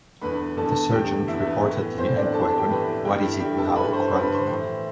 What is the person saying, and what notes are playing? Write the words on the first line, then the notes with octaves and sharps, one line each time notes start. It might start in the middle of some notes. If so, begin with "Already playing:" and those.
The sergeant reportedly enquired What is it now, Crowden?
E2 D3 B4 B5
E2 D3 A4 A5
E2 D3 G4 G5
E2 D3 E4 E5
B3 B4
A2 E3
A2 E3 C4 C5
D4 D5
A2 E3 A4 A5
G4 G5
A2 E3 B4 B5
G2 D3 G4 G5
E4 E5
G2 D3 G4 G5
A4 A5
G2 D3 B4 B5
C5 C6
G2 D3 B4 B5
B4 B5
C5 C6
A2 E3